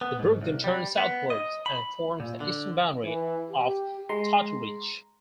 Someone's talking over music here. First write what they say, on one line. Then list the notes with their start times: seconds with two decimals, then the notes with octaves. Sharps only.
The brook then turns southwards and forms the eastern boundary of Totteridge.
0.01 B3
0.19 G#2
0.41 C2
0.64 G3
0.97 B3
1.30 D#5
1.66 B5
2.20 A#2
2.40 D3
3.03 E3
3.50 G4
4.09 G#3 A#5 C6